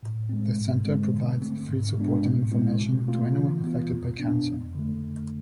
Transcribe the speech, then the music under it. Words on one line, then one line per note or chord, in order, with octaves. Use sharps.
The centre provides free support and information to anyone affected by cancer.
A2
G#3 C4
G#2
G#3 C4
D3
A3 C4
G#2
G#3 B3 D4
A2
G#3 C4 E4
B2
A3 C4 F4
E3
B3 F4
E2
B2 B3 D4
F2
D3 A3